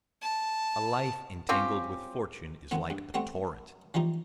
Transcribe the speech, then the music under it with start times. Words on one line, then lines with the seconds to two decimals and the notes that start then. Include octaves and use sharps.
A life entangled with Fortune is like a torrent.
0.22 A5
1.49 C4 C#4 F4 G4
2.71 D#3 B3 C4
2.90 G2
3.14 G3 A3 B3 C4
3.94 E3 F3 G3 D#4